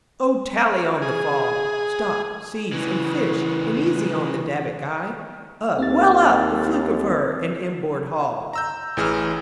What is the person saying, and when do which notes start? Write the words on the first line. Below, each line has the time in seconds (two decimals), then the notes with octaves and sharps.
O tally on the fall! Stop, seize, and fish, and easy on the davit-guy. Up, well up, the fluke of her, and inboard haul!
1.02 G#4
2.72 C#3 E3
5.78 D#2 C4 A6
8.53 A#5 E6 G6
8.97 A1 E3 G#4 E6 F6